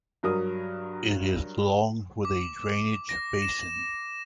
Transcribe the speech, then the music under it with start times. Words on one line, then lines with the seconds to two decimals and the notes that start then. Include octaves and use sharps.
It is long, with a drainage basin.
0.23 G2 F#3 A#4 D#6
2.25 D6
3.09 A#6
3.42 E7